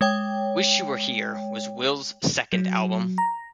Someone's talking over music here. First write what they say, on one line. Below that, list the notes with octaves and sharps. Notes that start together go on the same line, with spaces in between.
"Wish You Were Here" was Wills' second album.
G#3 C#5 G5
F#3
A#5